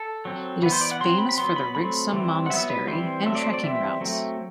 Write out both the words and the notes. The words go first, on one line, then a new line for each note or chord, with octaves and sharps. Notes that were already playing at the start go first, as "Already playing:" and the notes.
It is famous for the Rigsum Monastery and trekking routes.
Already playing: A4
F#3 C4
E3 B3 B4
C5
D5
F#5
F#3 C4 C6
B5
B5
F#3 B3 C6
B5
F#3 A3 C4 B5
E3 G3 C4
F#5
F#3 B3 E5
B4
E3 G3 C4 C5
F#3 A3 C4 E5
D5
C5
D5
E3 G3 C4 E5
F#3 A3 C4